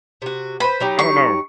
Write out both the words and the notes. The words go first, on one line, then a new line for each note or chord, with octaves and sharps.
I don't know.
C3 F#4
B4 C5 B5
F#3 D#4 G4
C#6